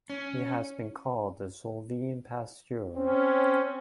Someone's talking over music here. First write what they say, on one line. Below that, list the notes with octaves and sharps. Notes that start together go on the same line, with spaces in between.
He has been called the Slovene Pasteur.
C#4
C4 C#4